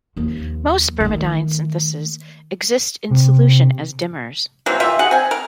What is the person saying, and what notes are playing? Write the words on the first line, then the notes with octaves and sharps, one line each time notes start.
Most spermidine synthases exist in solution as dimers.
D#2 F3
D#3 A3
C3
E3 F#3 A#3 C4
E3 G3 F4 E5
F#4 G#4 F#5
C4 G#5
A#4